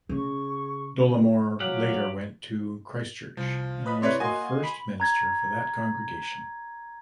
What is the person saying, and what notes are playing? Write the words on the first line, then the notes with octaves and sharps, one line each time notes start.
Dolamore later went to Christchurch and was the first minister for that congregation.
C#3 G#4 C#6
F#3 G4 F5 F#5
C2 F3
B4 D#5 B5
C3 E4 B4 C#5 D5 C6
A#3 F#4 D#5 G#5 C6
B5
A#5 G#6 A6